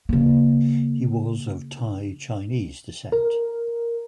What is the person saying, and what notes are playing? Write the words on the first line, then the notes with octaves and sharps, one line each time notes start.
He was of Thai Chinese descent.
C#3 A#3
A#4